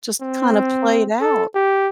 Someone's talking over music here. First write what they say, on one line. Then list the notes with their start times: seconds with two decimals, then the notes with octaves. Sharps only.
Just kinda play it out.
0.21 C4
1.21 A4
1.55 G4